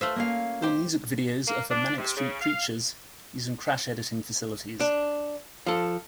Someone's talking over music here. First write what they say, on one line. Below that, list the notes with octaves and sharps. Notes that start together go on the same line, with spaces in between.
All music videos are for Manic Street Preachers, using 'Crash Editing' facilities.
A3 F4 C5 E5
A#3 C#4 F5
G4 C5
A#3
D4
C3
C#3
F5
D4
F3 A4